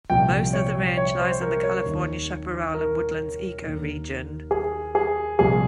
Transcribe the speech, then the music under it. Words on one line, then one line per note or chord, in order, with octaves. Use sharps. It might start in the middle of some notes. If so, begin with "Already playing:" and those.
Most of the range lies in the California chaparral and woodlands ecoregion.
C2 A#2 F3 G5
C#5
C#5
C5
A#4
C#5
D#2 D#3
A#4
D#2 D#3
G#4
G#4
C2 A#2 F3 G#4